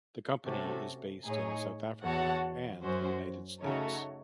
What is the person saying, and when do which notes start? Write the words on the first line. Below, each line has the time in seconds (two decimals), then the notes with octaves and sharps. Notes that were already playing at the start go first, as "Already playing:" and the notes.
The company is based in South Africa and the United States.
0.45 C3 A3 C#4 F#4 A4
1.24 A2 D#4 G#4 C#5
2.03 E2 F#4 C#5 F#5 A5
2.82 F#2 C#4 F#4 C5
3.62 C#3 A3 D#4 F#4 A4 C#5